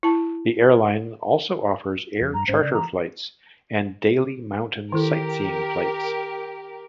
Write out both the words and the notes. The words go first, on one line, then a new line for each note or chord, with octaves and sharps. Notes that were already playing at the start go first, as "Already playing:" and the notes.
The airline also offers air charter flights and daily mountain sightseeing flights.
E4 A5
F2
G2 A#5
A1 G#2 C#4 C5
C#3 D5
E3 A#5
D#3 E4 G4 A4 A#4